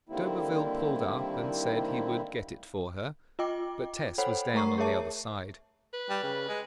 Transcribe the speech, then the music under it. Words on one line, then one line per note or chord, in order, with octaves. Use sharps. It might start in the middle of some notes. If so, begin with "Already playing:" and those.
D'Urberville pulled up, and said he would get it for her, but Tess was down on the other side.
D3 D#3 G3 A#3 C4 E4
F4 D#5 G5 D6
A4 C5 C#5 F#5 G5 B5
A3 A#4 A#5 C#6 C7
G#4 A#4 C#5 E5 A5
B4
G3
C#3
G#3